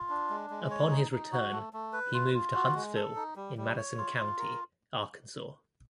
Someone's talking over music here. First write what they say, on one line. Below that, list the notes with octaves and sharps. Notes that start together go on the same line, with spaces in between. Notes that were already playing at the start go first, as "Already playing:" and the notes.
Upon his return he moved to Huntsville in Madison County, Arkansas.
Already playing: F4
D4
G#3
G#3
C#5
D#4
D#4
F#4
A3
A3
B4
F4
F4
F#4
G#3
A4
D#4
G3
G3
C#5
F4
F4
A#4